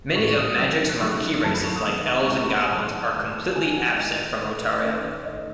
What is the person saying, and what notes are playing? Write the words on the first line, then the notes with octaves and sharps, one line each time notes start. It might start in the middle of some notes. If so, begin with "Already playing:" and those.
Many of Magic's marquee races like Elves and Goblins are completely absent from Otaria.
A2 E3 G#3 C#4 E4 C#6
D#6
G#2 D#3 F#3 C#4 E6
F#6
C#3 F#3 A3 D#4 E6
F#6
F#2 C#3 F#3 A3 A5
B5
C#6
D#6
D#3 G#3 B3 E6
C#6
C#3 G#3 C#4 E4 C#6
B5
G#2 D#3 F#3 A5
G#2 D#3 A3 E4
C#3 E3 G#3 B3 G#5
F#5
D#3 G#3 B3 E4 D#5
C#5
G#2 E3 G#3 B4
C#5
D#3 A3 C#4 B4
C#5
G#2 D#3 A3 D#4 D#5